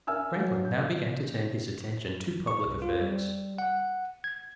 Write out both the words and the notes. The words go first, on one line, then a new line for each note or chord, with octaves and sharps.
Franklin now began to turn his attention to public affairs.
A#4 E5 G#5 E6 F6
F#3
G6
C#6
C2
F4
G3
F#5
G#6